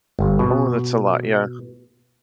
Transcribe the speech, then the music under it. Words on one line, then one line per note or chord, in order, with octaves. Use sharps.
Ooh, that's a lot, yeah.
G1
B2